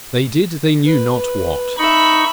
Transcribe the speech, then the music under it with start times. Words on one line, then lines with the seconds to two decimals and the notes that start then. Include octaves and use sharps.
They did they knew not what.
0.85 B4
1.78 D#4 E5 B5 C#6